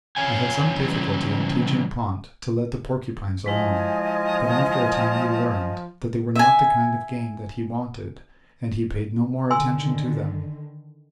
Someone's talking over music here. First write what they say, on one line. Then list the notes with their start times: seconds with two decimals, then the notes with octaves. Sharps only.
I had some difficulty in teaching Pont to let the porcupines alone, but after a time he learned that they were not the kind of game that he wanted, and he paid no more attention to them.
0.17 F2 F3 A#4 C#5 F5 G#5
0.77 C#3 E3 F#3 G3
3.46 F3 G#3 E4 D#5 G#5
6.35 E5 G#5
9.50 D3 D#3 G#5 C6 E6